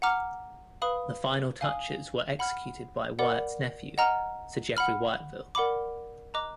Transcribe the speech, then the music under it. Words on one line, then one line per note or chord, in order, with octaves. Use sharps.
The final touches were executed by Wyatt's nephew Sir Jeffry Wyatville.
F#5 A#5 D6 F6
B4 F5 B5 D#6
F5 G#5 D#6
F#5 B5 F6
A#4 D5 F#5 B5 D6
D#5 F#5 A#5 F6
F#5 B5 F6
A#4 D5 F#5 B5 D6
D#5 A#5 D6 F#6